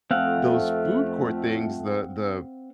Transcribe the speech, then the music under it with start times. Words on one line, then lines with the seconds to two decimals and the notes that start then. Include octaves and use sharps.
those food court things, the the
0.11 F2 A3 C4 F5 F#5